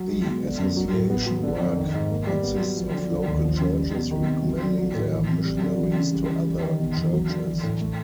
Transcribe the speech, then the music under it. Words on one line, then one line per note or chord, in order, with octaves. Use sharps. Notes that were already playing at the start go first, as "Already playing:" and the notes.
The association work consists of local churches recommending their missionaries to other churches.
Already playing: F#3
G#3
B2
D3
F#2
F#3
A2
B3
F#3
D3
F2
D#3
G#2
A#3
G3
B3
F#3
F3
D3
D3
D#2
F3
C#3
G3
B2
D#3
C3
F#3
D3
F#3
A2
E3
C3
G3
D3
E3
C#3
G3
E3
G3
D#3
B2
E2
F#3
D3
E3
A2
A3